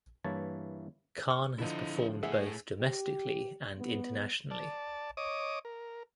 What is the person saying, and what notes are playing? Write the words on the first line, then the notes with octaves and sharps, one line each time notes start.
Khan has performed both domestically and internationally.
G2 E3 A#3 E4 C#5 A5
C#6 F6
D3 F3 E4 D#5
A2 G#4 A4 E5 F#5
G4
B3
D5 A5
C#5 D#5 D6 D#6
A#4